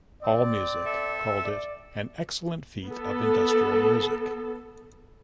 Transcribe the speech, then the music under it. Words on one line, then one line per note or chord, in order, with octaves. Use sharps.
AllMusic called it "an excellent feat of industrial music".
C4 D5
A4 E5
D5
B3 A4